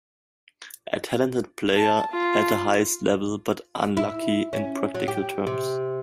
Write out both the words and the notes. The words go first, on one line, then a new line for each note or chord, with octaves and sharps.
A talented player at the highest level, but unlucky in practical terms.
A5
F4
E4
C#4
F#3
G4
C3